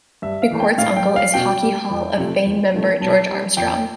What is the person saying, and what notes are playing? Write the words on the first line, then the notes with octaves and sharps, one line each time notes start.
McCourt's uncle is Hockey Hall of Fame member George Armstrong.
G2 E5
F5
E3 A3
G5
A2 F5
G5
G3
F5
B2 G5
G3
F2
C3 F3 A3
E2
C3 F3 A3
B2 A5
G3
F2 G5